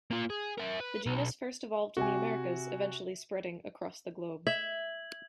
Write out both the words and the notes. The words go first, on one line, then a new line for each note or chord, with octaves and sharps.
The genus first evolved in the Americas, eventually spreading across the globe.
A#3 F4
G#4
A#4 E5
B4
B1
C3 F#4 G4 G#5
E5 G#6 F#7